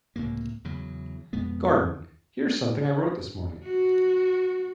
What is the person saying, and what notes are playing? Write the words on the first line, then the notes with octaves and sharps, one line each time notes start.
Garden: "Here's something I wrote this morning".
C#2 A2 C3 A#3
E2 C#3 F#3
F2 B2 G#3 B3
F#4